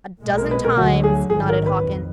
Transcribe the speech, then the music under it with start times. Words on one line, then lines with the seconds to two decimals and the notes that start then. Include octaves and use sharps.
"A dozen times," nodded Hawkins.
0.24 B1 A#2 G#3
0.37 A#4
0.51 B4
0.64 A#4
0.77 D2 D3 F#3 F#4
1.04 G#4
1.30 A#1 G#2 D#3 F#3 G#4
1.49 A#4
1.66 B4
1.83 F2